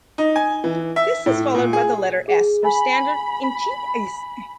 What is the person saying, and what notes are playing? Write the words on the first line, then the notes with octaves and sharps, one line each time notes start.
This is followed by the letter S for standard InChIs.
D#4
G#5
E3
E5
A2
A#2
G#4
G#4
G#5 B5